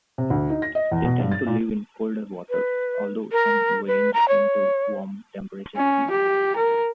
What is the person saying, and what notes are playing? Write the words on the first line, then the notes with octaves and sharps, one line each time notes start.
They tend to live in colder waters, although some range into warm-temperate seas.
C3
D2
D#4
A#6
D#5
E2
B2
G2
A6
A#2
B4
A#4
B4
A#5
C#5
C#4
G4
A#4